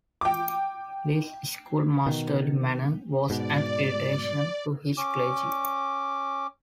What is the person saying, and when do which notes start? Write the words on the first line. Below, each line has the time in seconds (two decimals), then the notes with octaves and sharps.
Lee's schoolmasterly manner was an irritation to his clergy.
0.21 G5 D6
2.06 B2 D#3
3.30 G#2 B2 D5
4.97 C#4 D6